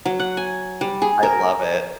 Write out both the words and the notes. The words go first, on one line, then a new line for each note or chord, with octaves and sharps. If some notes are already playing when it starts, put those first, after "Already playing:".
I love it.
F#3
F#5
G#5
G3
G#4
A#4